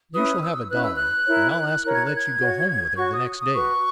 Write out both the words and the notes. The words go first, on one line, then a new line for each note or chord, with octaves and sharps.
You shall have a dollar, and I'll ask her to let you go home with her the next day.
C#4 E4 B4 D#6
E6
C#4 E4 B4 F#6
E6
F#6
E4 A#4 C#5
E4 A#4 C#5
G#6
F#6
G#6
F#4 C#5
F#4 C#5 C#6
D#6
D#6
F#4 B4 C#6